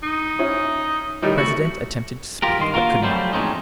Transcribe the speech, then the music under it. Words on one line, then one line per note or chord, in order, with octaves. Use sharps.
The president attempted to speak, but could not.
D#4
C#4 E4
A2 D#3 G3 D#4
A3 F#4
F4 G4 A#4
G2 D#3 C6
A#3 F4 F#4 A#4
F2 F#3 G3 A3 C5
E2 G#2 A3 C4 C#4 D#4